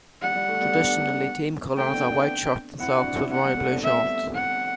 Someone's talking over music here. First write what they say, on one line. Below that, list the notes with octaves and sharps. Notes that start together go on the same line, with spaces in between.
Traditionally, team colours are white shirts and socks with royal blue shorts.
G3 F#5
G3
A3
G3 B3
B3 D4
A3 C4 G5
B3 D4
B3 D4
C4 E4 F#5
D4 F#4
D4
C4 E4
B3 D4 F#5
G3 B3
A3 C4
B3 D4
B3 D4 E5
F#5